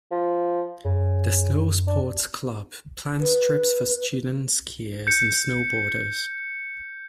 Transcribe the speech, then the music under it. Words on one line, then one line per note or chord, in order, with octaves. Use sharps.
The Snowsports Club plans trips for student skiers and snowboarders.
F3
F#2 C#3
D4
B4
G6 C#7